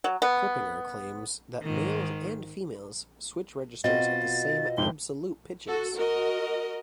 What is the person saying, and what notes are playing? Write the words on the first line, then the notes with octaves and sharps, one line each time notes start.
Clippinger claims that males and females switch registers at the same absolute pitches.
F#3
B3
G#2 D#3
B2 C4 F4 F#4 D#5 A6
F1 G#2 G5 G7
F#4 A4
F#4 A#4 D#5